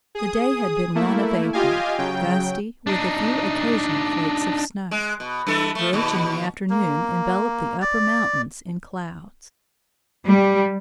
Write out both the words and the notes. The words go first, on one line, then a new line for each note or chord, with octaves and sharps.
The day had been one of April; gusty, with a few occasional flakes of snow; which, in the afternoon enveloped the upper mountains in clouds.
G#4 D#6
A3 A#3 E4
F4 G4 D#5 F5 G#5
C#3 F#3 G5
D4 D#4
G#3
B2
G2 E3 A4
F3 A3
D#2 B2
A#3
D5
G3